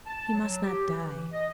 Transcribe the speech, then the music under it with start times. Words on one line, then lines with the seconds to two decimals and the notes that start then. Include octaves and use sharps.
He must not die.
0.07 A5
0.33 F#3
0.63 G4
0.88 E3
1.32 D#5